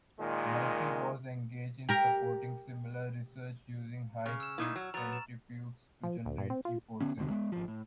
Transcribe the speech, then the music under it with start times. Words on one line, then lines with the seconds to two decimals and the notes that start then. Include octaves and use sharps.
Murphy was engaged in supporting similar research using high speed centrifuges to generate g-forces.
0.20 A#2 D#3 G#3
1.89 G4 A#4
4.26 C#3 C#6 F6
4.40 E6 E7
4.58 A#2 D#4 E4
4.76 F#3
4.94 F#3 B3 A#5 A6
5.13 E7
6.03 F3
6.25 D2
6.38 G2
6.50 C4
6.65 F4
7.01 D3 B3 C#4
7.18 F1 D2 B2 D3
7.30 G#3 B3
7.52 G#1 F3
7.68 A2